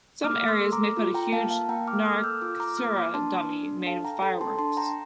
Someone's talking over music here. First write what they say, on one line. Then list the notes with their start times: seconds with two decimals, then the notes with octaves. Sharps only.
Some areas may put a huge Narakasura dummy made with fireworks.
0.24 A#3 D6 F6
0.48 C6 E6
0.60 A4
0.72 A#5 D6
0.97 F4
1.14 G5 A#5
1.32 A#3 F5 A5
1.51 F5 A5
1.69 A#3 G5 A#5
1.87 D6 F6
2.05 A4 D6 F6
2.23 E6 G6
2.42 F4 D6 F6
2.60 A#5 D6
2.78 A#3 D6 F6
3.14 D4 A5 C6
3.50 D4
3.86 A4 F5 A5
4.04 G5 A#5
4.22 A4 G5 A#5
4.41 A5 C6
4.59 D4 A5 C6
4.77 G5 A#5